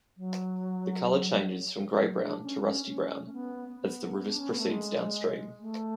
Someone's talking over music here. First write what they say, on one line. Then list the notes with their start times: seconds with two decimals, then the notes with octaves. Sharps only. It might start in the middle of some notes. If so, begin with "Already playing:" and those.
The color changes from gray-brown to rusty brown as the river proceeds downstream.
0.17 F#3
1.98 F#3
2.21 D4
2.43 C#4
2.66 C#4
2.89 C#4
3.26 A3
3.33 B3
3.79 B3
4.29 D4
4.39 C#4
4.50 B3
4.59 A3
4.70 G#3
5.60 A3